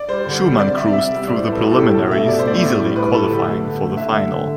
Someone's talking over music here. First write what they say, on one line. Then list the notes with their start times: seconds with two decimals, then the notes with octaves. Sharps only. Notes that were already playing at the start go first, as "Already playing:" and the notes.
Schumann cruised through the preliminaries, easily qualifying for the final.
Already playing: D5
0.08 G3 C5
0.26 D3
0.42 G3
0.59 C3 D5
0.77 G3 E5
0.93 C3 E5
1.11 G3
1.27 A2 D5
1.35 C5
1.44 G3 B4
1.52 A4
1.61 A2 F#4
1.71 A4
1.77 G3 G4
1.94 B2 A4
2.11 A3 E5
2.28 B2 D5
2.38 C5
2.45 A3 D5
2.63 A2
2.79 G3
2.96 A2 B4
3.13 G3 A4
3.29 D3 G4
3.47 A3
3.64 D3
3.81 A3
3.97 D3 E5
4.14 A3
4.31 D3